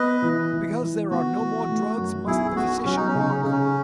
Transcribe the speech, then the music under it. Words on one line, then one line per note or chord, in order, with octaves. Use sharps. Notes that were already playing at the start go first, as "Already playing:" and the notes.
"Because there are no more drugs must the physician walk?"
Already playing: B3 B4 D#5
E3
E3
E3
B3 F#4
E3
A3
F#2
B1 E4 G#4
B3 F#4
F#3 C#4
D#4
C#4
C#3 D#4
C#4
C#3 D#4
C#4